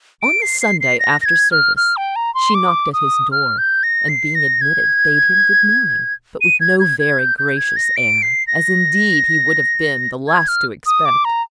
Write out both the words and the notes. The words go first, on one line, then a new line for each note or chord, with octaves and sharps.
On the Sunday, after service, she knocked at his door, and, being admitted, bade him good morning, but with no very gracious air--as, indeed, he would have been the last to expect.
D7
C7
C7
C7
A#6
A#6
G#6
F6
F6
G5
A#5
C6
D6
D#6
F6
G6
A#6
C7
A#6
G#6
D#7
G#6
G#6
G#6
G6
G6
G#6
A#6
D7
C7
A#6
G#6
F6
D#6
D6
A#5